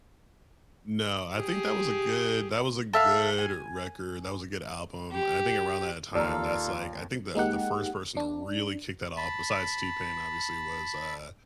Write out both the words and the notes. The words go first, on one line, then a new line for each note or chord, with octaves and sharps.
No, I think that was a good that was a good record that was a good album, and I think around that time, that's like I think the the first person to really kick that off, besides T-Pain obviously, was, uh,
G4 G#4
A4 E5 F5
G#5
G4
D#2 F4 A4 D5 F5 A#5
G#3 A#3 D#4 G4 F#5
D4
A5 B5